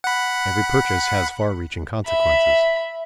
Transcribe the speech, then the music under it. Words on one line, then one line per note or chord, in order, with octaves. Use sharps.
Every purchase has far-reaching consequences.
F#5 B5
E5 B5